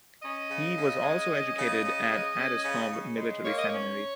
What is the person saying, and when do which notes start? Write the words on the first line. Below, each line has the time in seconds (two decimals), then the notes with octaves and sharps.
He was also educated at Addiscombe Military Seminary.
0.23 C#4 D#5
0.49 C#3
0.76 C#3
1.03 G#3
1.30 C#4
1.56 C#3
1.83 C#3
2.10 G#3
2.37 C#4
2.64 C#3
2.90 C#3
3.17 G#3
3.44 A#3 C#5
3.57 D#5
3.69 C#4 C#5